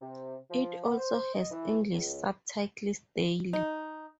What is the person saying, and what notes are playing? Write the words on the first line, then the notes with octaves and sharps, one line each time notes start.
It also has English subtitles daily.
C3
F3
B3
C5
D#5
E3
C#2
D#4